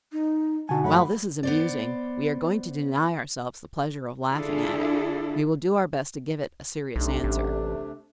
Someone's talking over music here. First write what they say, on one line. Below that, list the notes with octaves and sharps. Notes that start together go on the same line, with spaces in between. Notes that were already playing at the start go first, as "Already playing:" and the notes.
While this is amusing, we are going to deny ourselves the pleasure of laughing at it; we will do our best to give it a serious answer.
D#4
B2 D3 D#4 F#4 G#5 A5
F#2 F#3 A3 F#5 B5
B3 C5 D5
D3 D4 E4 F4 G#4 A4
B1 C3 A3 D4
A1